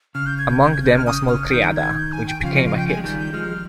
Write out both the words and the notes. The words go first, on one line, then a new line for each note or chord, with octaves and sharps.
Among them was "Malcriada" which became a "hit".
C#3 F6
G6
G#6
G6
G6
G#6
G6
F6
C#3 D#6
C#3 F6
D#3 G6
G#6
G6
G#5
G5
C#3 F3 F5
D#5
F5
G5
G3 G#5
G#3
D#3 G3 G6
G6
F3 G#3 F6